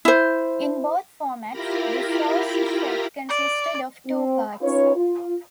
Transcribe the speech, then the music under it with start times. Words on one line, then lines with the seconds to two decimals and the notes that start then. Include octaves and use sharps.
In both formats, the show's set consisted of two parts.
0.05 E4 C5
1.50 E4 F4 G4 A#4 B5 A#6
3.29 D5
4.07 C4
4.62 C#4 D#4 F4 B4 C#5
4.95 F4